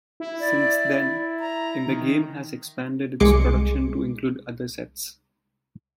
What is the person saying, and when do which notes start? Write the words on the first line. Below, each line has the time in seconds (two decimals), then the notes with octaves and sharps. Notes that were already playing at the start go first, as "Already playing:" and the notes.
Since then, In The Game has expanded its production to include other sets.
0.20 E4
0.40 D5
1.40 A#5
1.87 D#3
3.20 C2 G#3 G#4 C6 D6 C#7